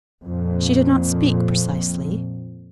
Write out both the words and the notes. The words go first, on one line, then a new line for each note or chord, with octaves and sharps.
She did not speak, precisely.
F2 A#2